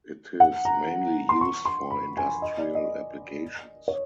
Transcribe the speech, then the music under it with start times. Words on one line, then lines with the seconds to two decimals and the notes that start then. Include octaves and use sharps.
It is mainly used for industrial applications.
0.40 F#5
0.65 A#5
1.29 C6
1.41 C#6
1.65 C6
1.91 B5
2.17 G#5
2.42 D#5
2.59 D5
2.75 D#5
3.88 C#5